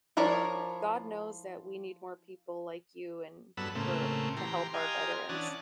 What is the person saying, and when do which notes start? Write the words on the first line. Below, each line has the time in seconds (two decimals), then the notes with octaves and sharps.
God knows that we need more people like you, and for to help our veterans.
0.17 F3 E4 A#4 C#5 D5
3.57 G2 F#3 B3 A4 B5 E6
3.75 A2 C#3 A3 A#3 C4
4.37 E3 G4 A#5 C6
4.74 G4 D#5 F5 G#5 A#5 C6
5.29 E3 C#4 D4 F#5 A5 D#6